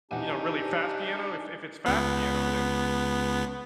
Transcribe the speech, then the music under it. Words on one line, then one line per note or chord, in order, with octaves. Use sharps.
you know, really fast piano. If if it's fast piano, then
E2 B2 D4 D#4 G4 C5 F#5 G#5
C#2 B3